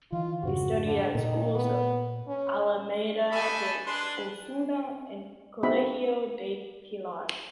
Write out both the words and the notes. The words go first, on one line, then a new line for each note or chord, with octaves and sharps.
They studied at the schools of Alameda de Osuna and Colegio del Pilar.
D#3 E3 F4
F2 G#2 C#3 F#4
D3
A#2 D#3 A#3
B3
C#4
F#4 G4 A4 D#5 G#5 B5
G#3 D4 B4 C6
B3 C4 D#4 F#4 E5 B5